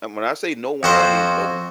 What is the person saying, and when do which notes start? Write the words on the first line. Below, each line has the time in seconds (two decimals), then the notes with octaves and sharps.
And when I say no one, I mean no one.
0.83 F2 F#4 C5